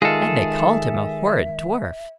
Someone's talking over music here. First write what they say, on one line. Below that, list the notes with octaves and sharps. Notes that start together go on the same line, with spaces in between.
And they called him a horrid dwarf!
D#3 G#3 F4 G#4 A4 E5